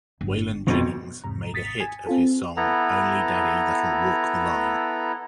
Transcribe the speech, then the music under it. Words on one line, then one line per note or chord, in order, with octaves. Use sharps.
Waylon Jennings made a hit of his song "Only Daddy That'll Walk the Line".
G1
F2 B2
E2 G#2 C3 A#5
G#1 D#6 A6 B6 C#7
G#5
C4 F4 A4
B3 E4 A4 A#5